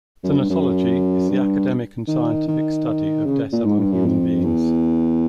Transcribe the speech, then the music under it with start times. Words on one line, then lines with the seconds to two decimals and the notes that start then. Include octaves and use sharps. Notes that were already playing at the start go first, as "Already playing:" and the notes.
Thanatology is the academic and scientific study of death among human beings.
0.23 F#2
0.37 G2
0.50 F#2
1.29 G2
2.08 D#3
2.48 D#3
3.26 C#3
3.52 A#2
3.65 G#2
3.79 G2
3.92 F#2
4.05 F2
4.44 E2